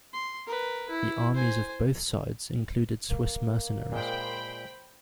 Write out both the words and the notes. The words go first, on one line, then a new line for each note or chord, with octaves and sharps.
The armies of both sides included Swiss mercenaries.
C6
A#4 B4
E4
C5 G#5
A#3
A#2 G#3 C5 G5 B5